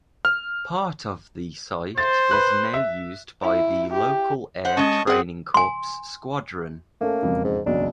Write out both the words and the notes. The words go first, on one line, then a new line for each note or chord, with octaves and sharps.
Part of the site is now used by the local Air Training Corps squadron.
F6
C5 A6
B4 F#6
E5
E4
G4
C5 F#5
G#3 C#4 D#5 A5 C#6
C4 G#4 F#5
G#5 C6
A3 A#3 C#4 A4
E1 F2 C#3
G#2
F#1 B1 E2 D4